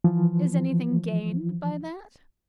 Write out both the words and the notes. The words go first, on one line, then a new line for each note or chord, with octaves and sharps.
"Is anything gained by that?"
E3 F3